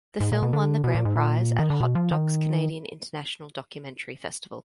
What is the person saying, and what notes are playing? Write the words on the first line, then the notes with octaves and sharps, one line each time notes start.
The film won the grand prize at Hot Docs Canadian International Documentary Festival.
G#2
A#2
B2
D3
B2
A#2
G#2
A#2
D#3
D3
B2
F3
D#3